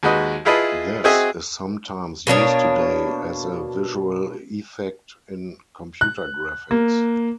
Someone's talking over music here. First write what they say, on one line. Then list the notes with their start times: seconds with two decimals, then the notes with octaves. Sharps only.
This is sometimes used today as a visual effect in computer graphics.
0.03 D#2 G#3 F#4 B4 D#5
0.45 E4 F4 G#4 B4 D#5 A5
1.04 C4 F#4 G#4 D#5 E5 G#5
2.27 B2 A#3 D4 C#5
6.01 F#6
6.71 A#3